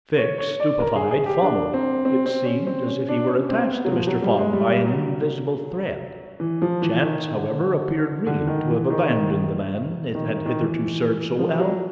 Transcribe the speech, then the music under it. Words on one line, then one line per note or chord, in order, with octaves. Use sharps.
Fix, stupefied, followed; it seemed as if he were attached to Mr. Fogg by an invisible thread. Chance, however, appeared really to have abandoned the man it had hitherto served so well.
C#5
C#5
D5
A#4
G#4
G#4
G4
D4
C4
C4
C4
C#4
C4
C#4
D4
C#4
C4
B3
F#3
F3
F#3
G3
G#3
G3
F#3
E3
F3
E3
D#3
D3
D3
D#3
E3
D#3
D#3
D#3
D#3
D#3
D#3
E3
F3
F#3